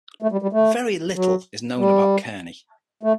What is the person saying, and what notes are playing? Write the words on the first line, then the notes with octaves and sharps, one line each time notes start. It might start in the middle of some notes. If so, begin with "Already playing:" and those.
Very little is known about Kearney.
A3
G3
G3
A3
F#3
G3
A3